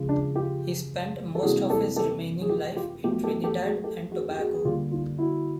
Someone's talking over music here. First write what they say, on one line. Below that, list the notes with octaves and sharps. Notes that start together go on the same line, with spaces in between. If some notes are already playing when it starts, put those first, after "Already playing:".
He spent most of his remaining life in Trinidad and Tobago.
Already playing: C#3 F3 G#3
D4
F4 G4
A4
C3 E3 G3 A#3 F#4 G#4
G4 A4
G4 A4
G#4
F4 G4
F4 G4
B2 F#3 A3 F4 G4
G4 A4
G4 A4
F#4 G#4
G4 A4
F#4 G#4
G4
F#4 G#4
G#4
D3 G3 A#3 F4 G4
D#4 F4
E4 F#4